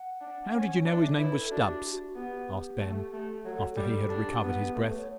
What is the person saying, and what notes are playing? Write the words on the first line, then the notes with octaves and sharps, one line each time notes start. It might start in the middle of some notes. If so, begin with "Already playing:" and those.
"How did you know his name was Stubbs?" asked Ben, after he had recovered his breath.
Already playing: F#5
D4
C#4
D4
E5
C#5
E4 B4
A4
D4 F#4
G4
F#4
G4
F#4
F#4
B3 G4
A3
A3
F#3 A4
A4
G3 A4
D4 G4
B3
A3 A4
B4
C#5